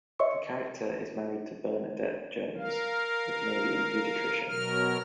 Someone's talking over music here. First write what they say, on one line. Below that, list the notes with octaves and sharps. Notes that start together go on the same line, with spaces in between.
The character is married to Bernadette Jones, a Canadian pediatrician.
C#5 D#5 E5 C6 C#6 C#7
A#4 F5
B2 F#3 A#4 F6